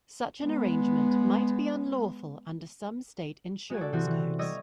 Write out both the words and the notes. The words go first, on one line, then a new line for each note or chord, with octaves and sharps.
Such an arrangement might be unlawful under some state insurance codes.
G#3 B3
G#3 F#4 G#6
A4 D5
C3 E3 B3 C4 E4 F#4
E3
G3 D5 D#5 C#6 E6 G#6